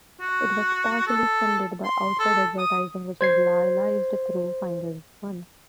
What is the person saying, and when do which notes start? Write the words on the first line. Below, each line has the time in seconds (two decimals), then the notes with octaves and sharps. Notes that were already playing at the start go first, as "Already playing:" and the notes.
It was partially funded by outside advertising, which was liaised through Flinders One.
0.20 F#4
1.07 A4
1.84 C6
2.19 A4
2.58 D#6
3.21 C5 G#6 C7